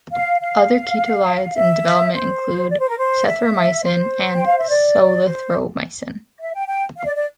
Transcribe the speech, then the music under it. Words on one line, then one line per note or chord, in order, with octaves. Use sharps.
Other ketolides in development include cethromycin and solithromycin.
F5
F5
E5
C5
D5
C5
A#4
C5
E5
C5
G5
F5
E5
D5
C5
E5
G5
G5
F5
D5
D5